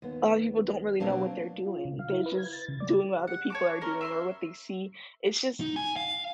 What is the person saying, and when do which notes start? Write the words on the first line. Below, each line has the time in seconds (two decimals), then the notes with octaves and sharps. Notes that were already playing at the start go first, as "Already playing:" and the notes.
a lot of people don't really know what they're doing, they're just doing what other people are doing or what they see, it's just,
0.02 D#2 B3
1.00 B2 F#3 A#3 C4 D4
1.67 F4
1.85 C#3
1.99 F5
2.12 E4
2.26 B4
2.38 G#6
2.52 A6
2.68 C#3
2.80 D5
2.93 G4
3.27 F#5
3.50 C#5 A5 D6
3.81 C#4 A#4 A#5
4.01 E5 B5 C6
5.61 D#4
5.76 G#5
5.96 F5